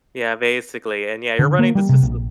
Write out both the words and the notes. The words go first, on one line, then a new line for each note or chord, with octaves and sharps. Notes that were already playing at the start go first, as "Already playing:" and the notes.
Yeah, basically, and yeah, you're running this facil
D3
A#3
G3
C3
A#1